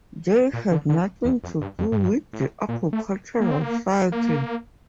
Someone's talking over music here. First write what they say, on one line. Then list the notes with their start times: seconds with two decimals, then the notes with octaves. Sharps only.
They had nothing to do with the agricultural cycle.
0.53 A#2
0.71 D3
0.89 D3
1.25 E2
1.44 F2
1.61 G2
1.79 F2
1.92 A2
1.97 G2
2.33 A2
2.69 A#2
2.93 A3
3.40 A#3
3.51 C4
3.62 A#3
4.12 A#3